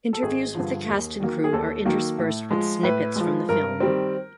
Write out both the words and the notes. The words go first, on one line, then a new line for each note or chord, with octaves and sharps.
Interviews with the cast and crew are interspersed with snippets from the film.
A4
G#1 G#4
G2 D3 F3
D#2
D#3 F#3 A#3
G#4
D#2 A4
D#3 F#3 A#3
A2
F3 G#3
A2 B4
F3 G#3
G2 A#4
D#3 G3 C4